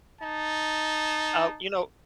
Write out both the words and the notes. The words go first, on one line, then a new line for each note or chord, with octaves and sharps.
uh, you know
D#4 A5